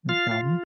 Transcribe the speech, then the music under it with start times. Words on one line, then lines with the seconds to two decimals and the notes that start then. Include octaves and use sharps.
No problem.
0.09 F4 F5
0.31 F4